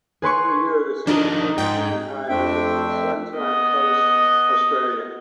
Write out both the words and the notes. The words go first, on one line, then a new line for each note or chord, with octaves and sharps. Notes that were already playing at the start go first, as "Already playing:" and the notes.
Every year the students from the junior high visit the Sunshine Coast, Australia.
G#4 B4 C6 C#6
F3 D4 D#4 A#4 D#5
G#2 G5
F2 A3 C4 D4 E5 G5
B3 D#5